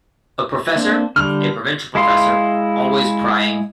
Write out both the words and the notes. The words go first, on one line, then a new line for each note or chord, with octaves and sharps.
A professor, a provincial professor, always prying.
A#3 C4 D4
D3 G3 F6
G#3 E4 F5 C6